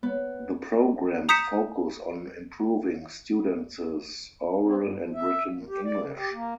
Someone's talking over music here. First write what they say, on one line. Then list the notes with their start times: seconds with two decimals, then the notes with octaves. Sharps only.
The programs focus on improving students' oral and written English.
0.03 B3
1.29 A#5 D#6 G6 B6 C#7 E7
4.63 C4
4.80 G2
5.00 F3
5.14 E5
5.56 A#2
5.68 G4
5.85 D5
6.02 C#3
6.16 G4
6.33 A#3